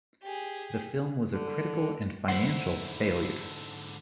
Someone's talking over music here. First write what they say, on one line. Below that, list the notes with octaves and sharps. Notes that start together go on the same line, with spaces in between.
The film was a critical and financial failure.
G4 G#4
D3
G#2 D3 E4 C5 F#5 C6